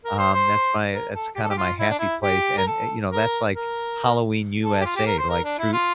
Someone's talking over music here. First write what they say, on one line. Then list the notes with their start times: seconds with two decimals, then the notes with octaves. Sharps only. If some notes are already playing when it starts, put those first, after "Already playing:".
Um, that's my that's kinda my happy place, and, eh, you know, that's like Halloween, USA, like, through
0.05 A#4
0.18 C5
0.33 C5
0.92 A#4
1.13 A4
1.35 G4
1.43 A4
1.50 G4
1.58 F4
1.79 E4
1.89 D4
1.99 E4
2.22 G4
2.57 A#4
2.67 A4
3.11 A#4
3.54 A#4
4.63 A4
4.81 G4
4.85 F4
4.96 G4
5.07 A#4
5.18 C5
5.29 A#4
5.43 D4
5.58 E4
5.73 F4